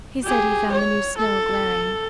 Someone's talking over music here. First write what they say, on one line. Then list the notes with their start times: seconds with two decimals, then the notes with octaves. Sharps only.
He said he found the new snow glaring.
0.23 G4 G#4
0.72 C#5
1.18 A4